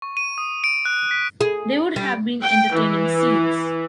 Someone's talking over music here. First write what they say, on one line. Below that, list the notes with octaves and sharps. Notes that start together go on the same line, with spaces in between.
They would have been entertaining scenes.
C#6
D#7
D#6
D7
F#6
B6
G#4
G3
G5
E3